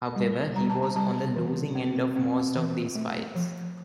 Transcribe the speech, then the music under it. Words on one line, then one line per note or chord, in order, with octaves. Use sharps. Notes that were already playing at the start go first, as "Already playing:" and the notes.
However, he was on the losing end of most of these fights.
G3
G3 A#5
A5
A#5
G3 A5
E3
C4
C4
E3
A3
F3